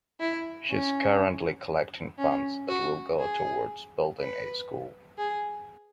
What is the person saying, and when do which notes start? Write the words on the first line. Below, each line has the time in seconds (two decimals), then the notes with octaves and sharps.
She is currently collecting funds that will go towards building a school.
0.20 E4
0.69 C#4
2.18 C#4
2.68 F#4
3.19 G#4
4.18 B4
5.18 G#4